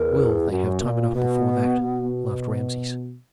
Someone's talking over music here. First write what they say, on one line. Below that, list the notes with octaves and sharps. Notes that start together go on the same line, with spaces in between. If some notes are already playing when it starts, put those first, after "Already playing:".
"Well, they have time enough before that," laughed Rameses.
Already playing: E2 A#4
F#2
A#2
B2 B3
B2